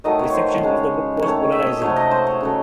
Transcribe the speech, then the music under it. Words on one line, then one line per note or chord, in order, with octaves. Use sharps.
Reception of the book was "polarizing".
D#3 F#3 A3 D#5
C#5
C5 C#5
C#5
C#3 G#3
D#3 A3 C#5
E5
D#5
C3 F#3 A3 C#5
D#5
C5
C#5
C#3 F#3 A3